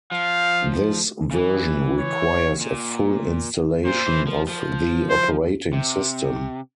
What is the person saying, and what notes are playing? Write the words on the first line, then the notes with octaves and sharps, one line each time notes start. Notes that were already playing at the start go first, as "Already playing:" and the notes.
This version requires a full installation of the operating system.
F3 F5
C#3
E3
C#5
A#2
A#2 C5
E3
F3
F3
C5
C3